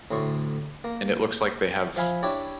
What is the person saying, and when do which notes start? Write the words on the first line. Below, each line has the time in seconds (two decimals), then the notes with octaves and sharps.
and it looks like they have
0.11 D2 A2 C6 C#6
0.84 A#3
1.96 F3 E5 F5 G#5 B5 D#6
2.23 D4 E4 G4 C#5